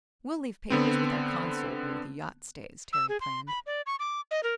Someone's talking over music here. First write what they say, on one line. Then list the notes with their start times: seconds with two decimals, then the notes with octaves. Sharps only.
"We'll leave papers with our consul where the yacht stays," Terry planned.
0.70 D3 B3 C4
2.93 E6
3.09 G#4
3.21 C6
3.48 B5
3.66 D5
3.86 C#6
3.99 D6
4.31 D#5
4.43 A#4